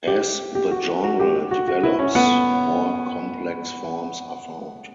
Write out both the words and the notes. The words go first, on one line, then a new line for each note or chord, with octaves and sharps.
As the genre develops, more complex forms are found.
G4
G4
F#4
F#4
G4
F#4
F#4
E4
C#4
B3